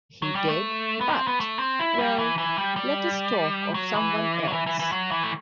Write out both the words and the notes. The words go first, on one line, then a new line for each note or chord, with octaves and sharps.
He did, but — well, let us talk of some one else.
F#3
G3
A3
B3
D4
C4
B3
A3
C4
E4
G3
E3
E3
G3
G3
F#3
E3
F#3
E3
E3
E3
F#3
E3
A3